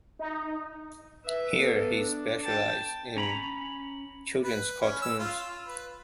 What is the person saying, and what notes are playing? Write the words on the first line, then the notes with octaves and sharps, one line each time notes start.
Here he specialized in children's cartoons.
D#4
B4 E5
B3 A4
D4
G5 A5
C#4 A#5 B5
B4
C#4
E6
F4
B4